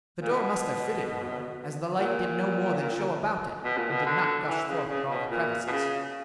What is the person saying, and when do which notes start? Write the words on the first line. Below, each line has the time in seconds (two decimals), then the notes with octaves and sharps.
The door must have fitted well, as the light did no more than show about it, and did not gush forth at all the crevices.
0.22 A#2
0.32 B2
1.98 A#2
3.64 B2
3.77 A#2
3.91 B2
4.06 D3
4.48 E3
4.68 C#3
4.89 C#3
5.09 B2
5.30 A#2
5.67 B2
5.72 C#3